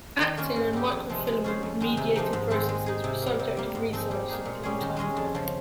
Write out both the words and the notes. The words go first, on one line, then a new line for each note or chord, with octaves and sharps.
Actin and microfilament-mediated processes were subject of research since long time ago.
D#3
A#3 C#4 F4 A#4
G#2
G3 C4 D#4 G4
F2
C3 F3 G#3
G#3
C#4 F4 G#4 C5
F2
D#3 G#3
C3
F3 A#3 D#4
G#2
D#3 G#3 C4
G#3
D#4 G#4
C3
G3 A#3
C3
G3 A#3
G#2
F3 G#3 C4 D#4
G3
A#3 D#4 G#4
A#2
G3 C#4 G#4
D#3
G#3 C#4 G#4 D#5
F2
C#3 F3